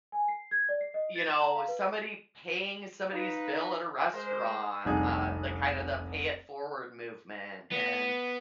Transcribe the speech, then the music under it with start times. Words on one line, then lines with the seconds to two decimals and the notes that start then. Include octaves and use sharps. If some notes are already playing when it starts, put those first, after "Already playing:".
you know, somebody paying somebody's bill at a restaurant, uh, the kind of the pay-it-forward movement, and,
0.12 G#5
0.28 C7
0.51 G#6
0.69 D5
0.81 C7
0.94 D#5
1.16 A6
1.29 E7
1.43 A#5
1.55 F5
1.68 B4
3.12 D#4 B4 F5
4.13 G#3 A#4 C5
4.85 F1 C2 D4 D#4 G#4 D#5
7.71 B3